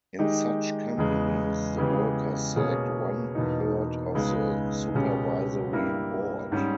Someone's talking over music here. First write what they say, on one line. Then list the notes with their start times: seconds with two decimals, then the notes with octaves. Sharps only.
In such companies, the workers select one-third of the supervisory board.
0.19 D#3 G#3 D#4 G4
0.97 E2 C#3 G#3
1.77 C#3 E3 G#3 B3 G4
2.56 B2 A#3 C#4 G#4 C#5
3.35 E2 B2 A#3 D#4
4.14 C#2 C#3 G#3 B3 D#4
4.94 C#2 B2 G#3 C#4 G4
5.73 G2 G3 A#3 E4 A#4
6.52 G#2 G3 C#4